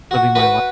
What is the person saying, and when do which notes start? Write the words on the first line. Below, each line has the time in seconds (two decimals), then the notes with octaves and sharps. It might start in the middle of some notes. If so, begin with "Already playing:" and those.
living my li"
0.11 F#4
0.35 F#4 B4